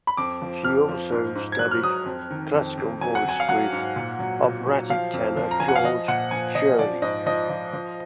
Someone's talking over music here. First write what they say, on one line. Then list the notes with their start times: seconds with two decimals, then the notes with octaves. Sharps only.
She also studied classical voice with operatic tenor George Shirley.
0.07 B5
0.17 F2 D6
0.42 F3
0.64 F2 F6
0.89 F3
1.12 G#2
1.35 G#2
1.52 G#6
1.59 F#3 F#6
1.71 F6
1.83 F#3 D#6
2.06 F2
2.31 D#3
2.54 F2
2.77 F2
3.01 F#3 G#5
3.15 F#5
3.25 F#3 G#5
3.40 F5
3.49 F#3 F#5
3.72 G#2
3.96 A#2
4.19 F#3
4.43 A#2
4.67 F#3
4.90 F3 F5
5.14 F2
5.37 F3
5.51 A#5
5.60 F3 G#5
5.68 F#5
5.76 F5
5.84 F3 D#5
6.08 A#2 F#5
6.31 F3 G#5
6.55 F3 D#5
6.79 F3 D5
7.02 G#2 D#5
7.26 F3 D#5
7.49 F3
7.73 F3